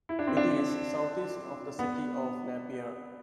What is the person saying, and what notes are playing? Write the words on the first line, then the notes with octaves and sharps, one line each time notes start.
It is south-east of the city of Napier.
E4
D4
C4
D4
B3